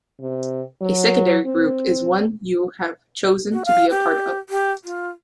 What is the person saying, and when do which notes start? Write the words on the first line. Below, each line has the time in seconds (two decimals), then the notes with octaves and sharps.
A secondary group is one you have chosen to be a part of.
0.21 C3
0.82 F#3
1.46 C4
3.52 F#4
3.65 F5
3.90 G4
4.49 G4
4.84 F4